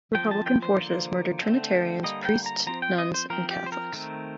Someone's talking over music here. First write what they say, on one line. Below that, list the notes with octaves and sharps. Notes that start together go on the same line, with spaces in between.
Republican forces murdered Trinitarians, priests, nuns and Catholics.
F3 C4 G5
A5
G5
C5
D3 F3 A#3
D3 A3 C4
D3 G3 A#3 D#5
G5
A#5
F3 C4 A#5
G5
D#5
C5
F3 C4 A#4
G4
C5
A#4
D#3 A3 C4